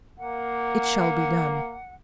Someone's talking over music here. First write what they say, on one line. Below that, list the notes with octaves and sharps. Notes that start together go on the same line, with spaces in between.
"It shall be done!"
A#3 F#5